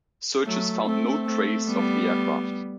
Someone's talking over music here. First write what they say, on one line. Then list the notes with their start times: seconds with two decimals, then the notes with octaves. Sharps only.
Searches found no trace of the aircraft.
0.45 F#3 A3
0.85 A3 C4
1.26 A3 C4
1.66 G3 B3